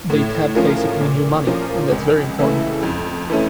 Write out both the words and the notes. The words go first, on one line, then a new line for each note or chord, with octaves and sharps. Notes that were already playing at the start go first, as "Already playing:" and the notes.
They tap basically new money, and that's very important.
A2
F3 C#4 F4 A#4
A#2
F3 C#4 F4 A#4
C#2
C#3 E3 A3 E4
F2
E3 A3 C#4